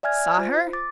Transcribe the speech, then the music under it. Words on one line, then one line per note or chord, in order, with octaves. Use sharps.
"Saw her?"
D5 E5 G#5 F6 G#6
F4 C5
D6 A6